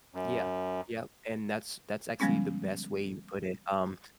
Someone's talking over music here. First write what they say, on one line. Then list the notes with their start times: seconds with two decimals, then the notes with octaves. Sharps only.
Yeah, yep, and that's that's actually the best way you put it, um,
0.14 F#2
2.20 D3 F3 G3 G#3 B3 C#4